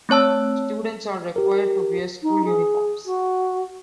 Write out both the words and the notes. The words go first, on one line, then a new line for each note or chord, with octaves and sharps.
Students are required to wear school uniforms.
A3 C4 C#5 A5 E6
G4 A#4
D#4
G#4
F#4